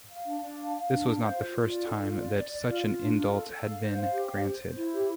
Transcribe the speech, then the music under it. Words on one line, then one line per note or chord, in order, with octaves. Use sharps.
This was not the first time that such an indult had been granted.
F5
D4
D4
F5
F5
D4
F5
C5
F4
F4
D5
A4
F4
D5
D5
D5
F4
F4
D4
F4
A4
A4
F5
C5
F5
G4
C5
C5
C5
E4
G4